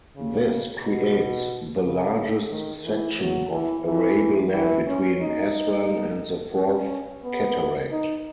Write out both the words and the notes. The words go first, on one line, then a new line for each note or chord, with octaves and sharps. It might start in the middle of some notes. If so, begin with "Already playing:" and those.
This creates the largest section of arable land between Aswan and the Fourth Cataract.
C#3
B2
C#3
D#3
E3
F#3
E3
E3
E3
C#4
D#4
C#4
B3
D#4